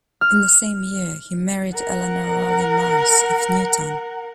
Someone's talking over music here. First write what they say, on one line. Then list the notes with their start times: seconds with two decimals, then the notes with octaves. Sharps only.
In the same year he married Eleanor Rowley Morris of Newtown.
0.21 F6
1.75 A#4 F#5